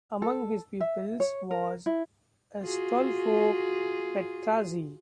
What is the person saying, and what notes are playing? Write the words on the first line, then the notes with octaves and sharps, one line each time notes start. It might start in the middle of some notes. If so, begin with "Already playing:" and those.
Among his pupils was Astolfo Petrazzi.
A4
E5
C#5
A#4
E4
F4 F#4 G#4